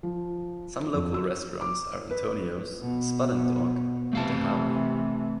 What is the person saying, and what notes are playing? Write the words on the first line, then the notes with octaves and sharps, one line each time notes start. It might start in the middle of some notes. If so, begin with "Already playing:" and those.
Some local restaurants are Antonio's, Spud and Dog, and The Howey.
F3
F2
E6
D6
B4
B2
C3 E3 A3 F5 A5